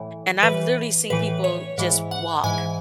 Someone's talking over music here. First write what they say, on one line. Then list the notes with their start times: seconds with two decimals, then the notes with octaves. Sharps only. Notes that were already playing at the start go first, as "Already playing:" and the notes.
and I've literally seen people just walk
Already playing: A2 E3
0.43 A2 E3 B4
1.10 A2 E3 B4
1.44 C#5
1.78 G#2 E3
2.11 F#5
2.44 G#2 E3 G#5